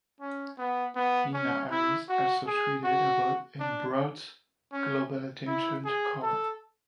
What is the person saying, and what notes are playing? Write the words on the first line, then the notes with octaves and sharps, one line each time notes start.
Meena Harris also tweeted about and brought global attention to Kaur.
C#4
B3
B3
C#4
E4
F#4
G#4
F#4
D4
C#4
E4
G#4
A4